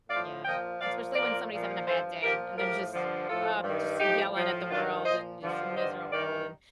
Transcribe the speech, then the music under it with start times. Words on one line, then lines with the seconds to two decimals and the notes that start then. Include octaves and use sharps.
Yeah, especially when somebody's having a bad day, and they're just um, just yelling at the world and just miserable, and,
0.09 A2 F3 D5 F5
0.45 A#2 F3 D#5 G5
0.80 A#2 F3 D5 F5
1.15 A#2 F3 A#4 D5
1.52 A#2 F3
1.87 G2 F3 A4 C5
2.22 A#2 F3 G4 A#4
2.57 A2 F3 G4 A#4
2.93 G2 D3 F3
3.29 A2 F3 F4 A4
3.64 G2 D#3
3.99 A2 F3 D#4 G4
4.35 A2 F3
4.70 G2 D#3 D4 F4
5.05 A#2 F3 C5 D#5
5.41 G2 D3 F3
5.76 G2 D3 F3 C5 D#5
6.12 G2 D#3 A#4 D5